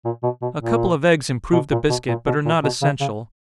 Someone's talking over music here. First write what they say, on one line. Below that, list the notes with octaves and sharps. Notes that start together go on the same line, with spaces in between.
A couple of eggs improve the biscuit, but are not essential.
A#2
B2
B2
A#2
B2
A#2
B2
A#2
B2
A#2
B2
C#3
C#3